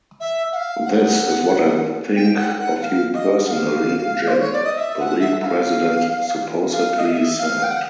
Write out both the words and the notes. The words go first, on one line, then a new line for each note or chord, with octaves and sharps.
"This is what I think of you personally, Jim", the league president supposedly said.
E5
F#5
F5
F#5
G5
F#5
F#5
F5
D#5
F#5
F5
C5
C#5
D5
D#5
E5
F#5
E5
F#5
F5
F5
D#5
F5
E5
F5
G5
F#5